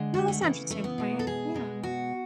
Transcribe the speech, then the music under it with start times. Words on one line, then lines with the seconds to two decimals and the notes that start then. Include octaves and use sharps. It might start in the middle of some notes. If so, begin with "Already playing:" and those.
Now that's an interesting point, yeah.
Already playing: D3 G#3
0.14 F#4
0.28 A3
0.41 C#3 E3 A3
0.70 A3
0.84 B3
0.98 B2 G#3
1.19 A4
1.27 G#4
1.54 B2 G#3
1.83 F#4